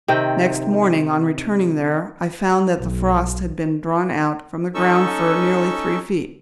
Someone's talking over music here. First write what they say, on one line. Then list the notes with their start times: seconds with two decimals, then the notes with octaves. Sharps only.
Next morning, on returning there, I found that the frost had been drawn out from the ground for nearly three feet.
0.08 C3 D#3 C4 G5
2.77 B1
4.75 C#4 D#4 A4 C#6 E6